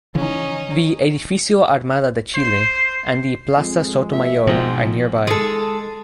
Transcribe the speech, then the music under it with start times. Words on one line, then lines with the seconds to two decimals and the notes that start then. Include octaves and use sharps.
The Edificio Armada de Chile and the Plaza Sotomayor are nearby.
0.15 C#3 E3 C#4 D#4
2.34 C5 C7
3.57 F2 G#3
4.13 A#2 E5
4.47 G#2 B2 F3 C4
5.27 G#3 A4